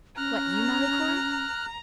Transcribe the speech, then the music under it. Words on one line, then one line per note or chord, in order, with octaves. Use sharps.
"What, you, Malicorne?"
C#4 A#5 F6 F#6